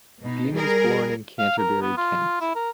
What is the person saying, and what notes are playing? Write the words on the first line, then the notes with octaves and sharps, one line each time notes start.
Dean was born in Canterbury, Kent.
B2 D#4
G3 G#4 A#4
F5
A#4
B3
F4
E4
A#4